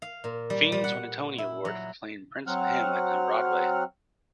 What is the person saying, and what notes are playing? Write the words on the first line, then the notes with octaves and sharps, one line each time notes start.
Fiennes won a Tony Award for playing Prince Hamlet on Broadway.
F5
A#2
G3
G3
F#5
E4
F#3
F#3 C4 F#5 F6